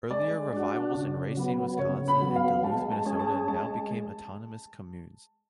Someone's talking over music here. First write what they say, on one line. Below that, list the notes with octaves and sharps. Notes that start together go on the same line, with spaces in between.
Earlier revivals in Racine, Wisconsin, and Duluth, Minnesota, now became autonomous communes.
G#3 D5
D4 F#4
C#3
F#3 B3
C#3 C#5
B5
F#3 B3
F5
G#3 A5
A5
C#4 G#4
A5
G#3 A5